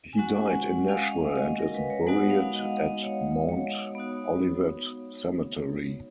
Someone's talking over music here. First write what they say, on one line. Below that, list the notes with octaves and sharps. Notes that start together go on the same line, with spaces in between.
He died in Nashville and is buried at Mount Olivet Cemetery.
G#5
G#3 C#4 F#4 F#5
G#5
F#5
F5
D#5
D#5
A#4
B4
C#5
G#3 B3 D#4 F#4 F#5
F#5
F5
D#5
D#5
C#5
C#5
B3 D#4 F#4